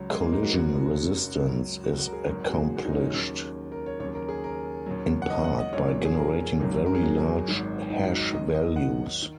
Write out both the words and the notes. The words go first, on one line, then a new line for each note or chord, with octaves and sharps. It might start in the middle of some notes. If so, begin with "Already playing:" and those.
Collision resistance is accomplished in part by generating very large hash values.
Already playing: C#2 C#3 F#3
G#3
A#3
D#4
F#4
F#1 F#2 C#3 F#3 F#4
C#2 C#3 F#3
F#4
F#4
A#4
G#4
G#1 G#2 D#3 F#3 A#4
G#4
F#4
F#4
D#4
C#4
D#2 C#3 F#3
A#4
C#5
D#2 C#3 F#3 C#5
A#4
G#4
A#4
D#2 C#3 F#3
F#5
D#5
F#5
D#5
A#1 A#2 F#3 C#5
G#4
A#4
G#1 F#2 D#3 F#3
A#4
G#4
F#4
G#1 G#2 D#3 F#3
D#4
F#4
D#5
D#2 D#3 F#3 D#5
D#5
F#5
D#3